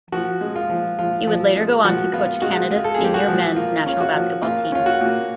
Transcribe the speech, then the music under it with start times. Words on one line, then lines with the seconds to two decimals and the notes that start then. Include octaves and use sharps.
He would later go on to coach Canada's senior men's national basketball team.
0.12 F3 F#4
0.41 G#3
0.56 F4
0.70 F3
0.99 F3 F4
1.27 F3
1.56 G#3
1.84 F3 F#4
2.13 B3 F4
2.42 G#3 F#4
2.71 G#3 F4
2.84 A4
2.94 G#3 G#4
3.04 G4
3.14 F#4
3.28 F3
3.56 A#3 F4
3.86 C#4 F4
4.00 F#4
4.14 F3
4.42 A#2 F4
4.72 C#4 F4
4.86 F#4
5.01 A#2